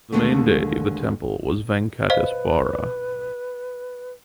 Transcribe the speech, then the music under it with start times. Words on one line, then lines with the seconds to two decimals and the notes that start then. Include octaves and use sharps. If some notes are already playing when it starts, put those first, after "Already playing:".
The main deity of the temple is Venkateswara.
0.12 D#2 D3 G#3 A3
2.10 B4 C5 D#5 F5